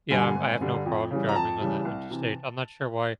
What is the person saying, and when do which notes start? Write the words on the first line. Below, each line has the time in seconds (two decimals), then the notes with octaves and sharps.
Yeah, um, I, have no problem driving on the interstate, I'm not sure why
0.11 G2 D3 G3 G#5
0.35 G#1
0.60 G2 D3 G3
0.86 F2
1.11 C#3 E3 G3
1.29 A#5
1.35 F2 A5
1.61 C#3 E3 G3
1.85 C2
2.10 C3 E3